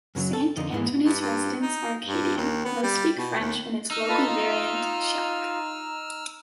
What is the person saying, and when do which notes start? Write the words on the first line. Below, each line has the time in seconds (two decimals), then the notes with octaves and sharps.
Saint-Antoine's residents are Acadian; most speak French in its local variant, Chiac.
0.15 F#2 C#3 E3 F#3
0.33 A4
0.57 F2 D3 D#4
0.71 E2 G#2 E3 G#3
1.05 G2
1.21 G2
1.62 D#4
2.06 G2
2.37 D#2
2.65 B3
2.83 G3
3.18 B2
3.40 D#2
3.91 D#4 E6 F6
4.09 F4 A4 B4
4.27 F4